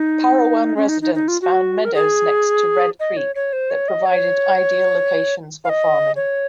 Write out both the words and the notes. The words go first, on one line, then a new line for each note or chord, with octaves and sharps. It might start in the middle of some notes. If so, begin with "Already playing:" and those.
Parowan residents found meadows next to Red Creek that provided ideal locations for farming.
Already playing: D#4
C#4
D#4
D#4
D#4
F4
F#4
A#4
G#4
D#5
C#5
C#5
C5
C#5
D#5
C#5
F5
D#5
C#5